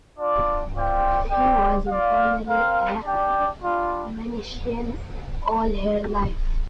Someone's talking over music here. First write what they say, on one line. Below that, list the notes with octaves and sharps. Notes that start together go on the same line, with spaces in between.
She was informally a Manichaean all her life.
D4 F4 D5
C4 F4 D5 G5
C4 G4 D5 G5
F4 D5 F5
C4 A#4 F5
D4 G4 D5 G5
G3 D4 F4